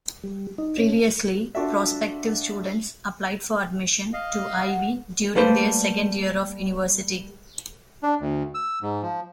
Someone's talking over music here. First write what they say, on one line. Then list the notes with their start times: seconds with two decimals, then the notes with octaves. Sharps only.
Previously, prospective students applied for admission to Ivey during their second year of university.
0.24 G3
0.58 D#4
0.78 C#4
1.55 D4 F4 F#4 A4 D5 E5
4.13 D#5 F5
4.67 F#5
5.35 G3 A3 A#3 B4 C5
8.03 D4
8.21 D2
8.55 E6
8.82 G#2
9.03 F3